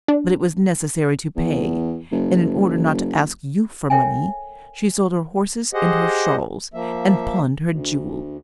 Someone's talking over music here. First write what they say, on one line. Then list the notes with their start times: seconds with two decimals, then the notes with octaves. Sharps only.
But it was necessary to pay, and in order not to ask you for money, she sold her horses and her shawls, and pawned her jewels.
0.08 D4
1.36 E2
2.12 F#1
3.90 A4 A#4 C#5 E5 G5 G#5
5.74 G4 G#4 C5 D#5 F#5
6.74 F3 A#3 E5
7.66 D2